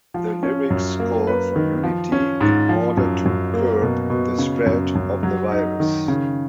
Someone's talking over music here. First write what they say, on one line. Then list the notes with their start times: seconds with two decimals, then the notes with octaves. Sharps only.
The lyrics call for unity in order to curb the spread of the virus.
0.14 F3
0.43 C#4
0.70 F#2
1.00 A#3
1.27 B4
1.56 D#3
1.83 F3
2.12 C#4
2.41 G#2
2.69 F3
2.97 F#2
3.25 F#2
3.54 A#3
3.82 B2
4.10 B2
4.38 C#3
4.66 F#2
4.95 F#2
5.23 F#3
5.52 D#4
5.80 D#3
6.08 C#3